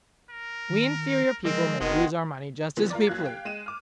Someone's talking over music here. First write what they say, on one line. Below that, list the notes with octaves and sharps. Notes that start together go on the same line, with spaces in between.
We inferior people may lose our money just as we please.
A#4
D#3
F3 G#3 C4 A#4 D#5
F#1 B2 D#3 G#3 F#5 C6 D#6
F2 D3 E3 F3 B3
F4 A#4 D5
A#1 F#3 F5 F#6 G#6
G4 F5 G5
G#3 D#7 E7
D6 F6